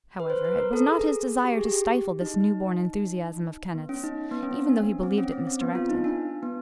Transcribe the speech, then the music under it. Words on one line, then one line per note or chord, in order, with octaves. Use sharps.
However, it was not his desire to stifle this new-born enthusiasm of Kenneth's, even though he believed it misdirected.
B4
C5
B4
A#4
A4
G#4
G4
G#4
G4
D#4
D#4
B3
C#4
D#4
B3
C#4
C4
D4
C4
C#4
C4
C4
B3
F4
D#4
D4
B3